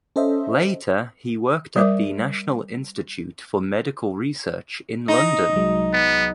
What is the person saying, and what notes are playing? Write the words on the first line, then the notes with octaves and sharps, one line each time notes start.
Later he worked at the National Institute for Medical Research in London.
C#4 A4 C5 D#5 E5
G3 A#4 C5 E5 D6
D#4
C2 F#3 G#3
B3